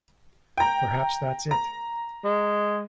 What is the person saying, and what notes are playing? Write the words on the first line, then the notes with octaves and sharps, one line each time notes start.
Perhaps that's it.
G5 A#5
A#5
G#3